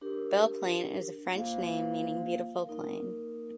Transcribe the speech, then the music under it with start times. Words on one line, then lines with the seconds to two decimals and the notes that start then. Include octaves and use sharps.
Belle Plaine is a French name meaning "beautiful plain".
0.01 D4 G4 A#4
1.34 A#3 F4 C5 F5
2.67 A#3 D#4 A#4